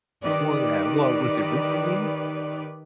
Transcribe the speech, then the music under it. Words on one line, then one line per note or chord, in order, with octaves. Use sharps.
Well, yeah. Well, was it recently?
D#3 G4 B4 D5